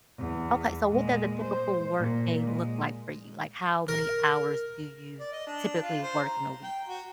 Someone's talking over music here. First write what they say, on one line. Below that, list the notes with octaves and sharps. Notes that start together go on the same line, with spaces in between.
Okay, so what does a typical workday look like for you? Like, how many hours do you typically work in a week?
E2
A#2 G#3
C5
A#2
G#3
A#4
D5
D#5
D4
F4
C5
A#5
G5
F#4